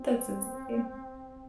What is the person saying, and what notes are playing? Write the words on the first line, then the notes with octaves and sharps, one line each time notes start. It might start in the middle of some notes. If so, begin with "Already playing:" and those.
That's insane.
Already playing: C4